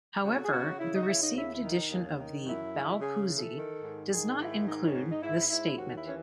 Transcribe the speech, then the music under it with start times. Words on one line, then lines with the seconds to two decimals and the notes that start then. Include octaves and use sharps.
However, the received edition of the "Baopuzi" does not include this statement.
0.24 C#3 F#4
0.36 A4
0.45 G#4
0.52 C#3 F#4
0.79 C#3 E4
0.94 D#4
1.01 F#4
1.07 C#3 E4
1.21 D#4
1.35 D#2 E4
1.53 E4
1.62 D#3
1.72 D#4
1.90 D#2 C#4
2.18 D#3
2.45 F#2 E4
2.73 C#3
3.00 C#3 G#4
3.28 E3
3.37 A4
3.57 D#3
3.83 G#2
4.12 D#3 G#4
4.39 G#2 E4
4.66 D#3 D#4
4.85 C#4
4.95 G#2
5.11 D#4
5.22 G#2 E4
5.49 G#2 E4
5.76 D#2 F#4
5.96 E4
6.04 E3 C#4